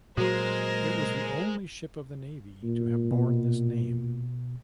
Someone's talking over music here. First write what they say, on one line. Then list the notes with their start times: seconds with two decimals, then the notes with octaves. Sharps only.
It was the only ship of the Navy to have borne this name.
0.17 A#2 F#3 G#3 F#4 A#4 C5
2.64 A#2
3.11 B2